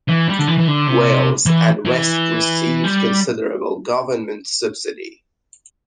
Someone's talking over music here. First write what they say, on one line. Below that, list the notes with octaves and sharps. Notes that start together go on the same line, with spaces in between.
Wales and West received considerable government subsidy.
E3
G3
D3
E3
E3
D3
C3
E3
E3
G3